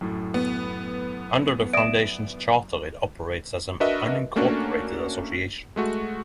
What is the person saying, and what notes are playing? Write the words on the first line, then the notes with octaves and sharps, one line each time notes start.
Under the Foundation's charter it operates as an unincorporated association.
F#2 A2
B3
D5 E5 D#6 D7 E7
D4 F#4 A#4 B4 D#5 E5
A3 A#3 C#4 D4 F#4
G#3 A3 F#4